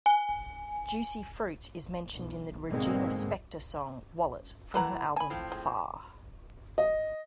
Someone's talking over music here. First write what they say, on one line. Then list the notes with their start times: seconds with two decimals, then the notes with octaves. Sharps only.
Juicy Fruit is mentioned in the Regina Spektor song Wallet, from her album Far.
0.06 G#5
2.14 B1
2.68 G#2 B2 D3 G#3 A#3 C4
4.74 A2 E3 A#3 B4 F#5 A#5
5.16 G#5 A5 B5
5.30 A2 F3 C4
5.52 G#3
6.78 D#5